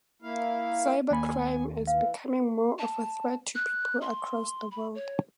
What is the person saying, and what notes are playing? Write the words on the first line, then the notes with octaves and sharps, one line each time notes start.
Cyber-crime is becoming more of a threat to people across the world.
A#3 E4 F5
D#2 A#3 G#5 B5
E3 F5
A5
F#6
C6
B5
C#5